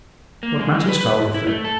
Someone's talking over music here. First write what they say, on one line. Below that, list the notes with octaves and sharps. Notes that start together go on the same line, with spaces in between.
What matters foul or fair?
A#3
G#3
G#3
B4
B4
B2
E4
A3
A4